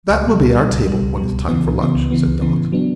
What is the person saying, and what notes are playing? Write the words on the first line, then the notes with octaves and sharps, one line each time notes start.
"That will be our table, when it's time for lunch," said Dot.
C#2
B2 G3
C#2
B2 G3
C#2
B2 G3
C#2
B2 G3
C#2
C#3 E3 B3
C#2
C#3 E3 B3
C#2
C#3 E3 B3
C#2
C#3 E3 B3
A2
F#3 B3 D4